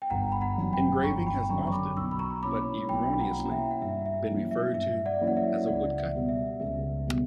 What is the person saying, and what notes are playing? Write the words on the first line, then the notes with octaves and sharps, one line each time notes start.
The engraving has often, but erroneously, been referred to as a woodcut.
G5
G1 F#5 A#5
B5
F#5 A#5
F#2 D3 F#3 C#4
G5 B5
G1 A#5 C#6
G5 B5
F#2 D3 F#3 C#4 A#5 C#6
C#6
B5 D6
B1 C#6 E6
B5
A#5 C#6
B2 A#3 C#4 E4 B5 D6
B1 G5 B5
F#5 A#5
B2 A#3 C#4 E4
A#5
E5 G5
F#5
G2 E5
E5
F#3 A#3 C#4 E4
E5
G2 E5
D5 F#5
F#3 A#3 C#4 E4
F#5
E5
C#2 D5 F#5
E5
B2 G3 B3
E5
C#2 E5
B2 G3 B3